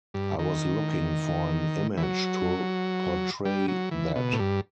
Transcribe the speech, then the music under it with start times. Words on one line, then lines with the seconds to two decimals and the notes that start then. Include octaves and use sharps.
I was looking for an image to portray that.
0.14 G2
0.39 D#3
1.97 E3
2.03 F#3
3.45 G3
3.68 F#3
3.91 E3
4.15 B2
4.33 A2
4.39 G2